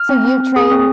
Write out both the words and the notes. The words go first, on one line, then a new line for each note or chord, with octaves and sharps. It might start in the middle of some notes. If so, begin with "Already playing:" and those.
So, you train
Already playing: F6
C4
C4
C4
G#4 D#6
C4